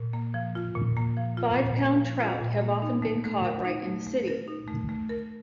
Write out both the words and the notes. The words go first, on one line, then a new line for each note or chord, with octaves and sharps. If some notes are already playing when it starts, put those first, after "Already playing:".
Five-pound trout have often been caught right in the city.
Already playing: A#2
A#3
F3
F4
A#2
A#3
F3
F4
A#2
A#3
F3
F4
A#2
A#3
D#4
A3
A3
A#4
D#4
A3
A3
A#4
D#4
A3
A3
A#4